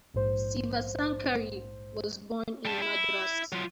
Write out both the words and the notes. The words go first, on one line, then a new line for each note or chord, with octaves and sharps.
Sivasankari was born in Madras.
A#1 G#2 C5
G3 A5
E4
F#3 F4